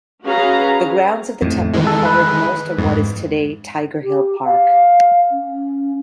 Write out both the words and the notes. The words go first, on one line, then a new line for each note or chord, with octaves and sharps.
The grounds of the temple covered most of what is today Tiger Hill park.
C#4 F#4 G#4 B4 F5 A#5
F2 A2
D#3 E3 G#3
A4
B4
F2 G#2
G4
F5
C#4